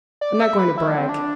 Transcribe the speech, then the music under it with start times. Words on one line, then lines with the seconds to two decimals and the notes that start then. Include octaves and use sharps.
I'm not going to brag.
0.21 D5
0.34 D5
0.40 E5
0.58 B4
0.78 E4
0.88 D4
0.98 C4
1.09 D4